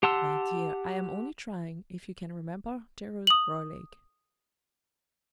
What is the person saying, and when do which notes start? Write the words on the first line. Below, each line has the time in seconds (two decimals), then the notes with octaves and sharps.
"My dear, I am only trying if you can remember Gerard Roylake."
0.03 G4 F#5 A5 C6 E6
3.27 D#6 F#7